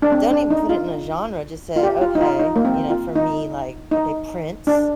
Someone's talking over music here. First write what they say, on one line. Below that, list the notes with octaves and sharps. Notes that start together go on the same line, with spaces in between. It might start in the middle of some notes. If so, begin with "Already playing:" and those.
don't even put it in a genre. Just say, "Okay," you know, for me, like okay; Prince,
D4
C4
D4
D#4
F4
F4
G4
F4
D#4
F4
D#4
A#3
C4
F4
D#4
D#4
D4